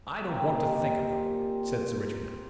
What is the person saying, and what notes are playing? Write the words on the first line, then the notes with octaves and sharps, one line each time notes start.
"I don't want to think of them," said Sir Richmond.
C3 F3 A#3
C4
D#4
G4 G#4
G4
A#2 F3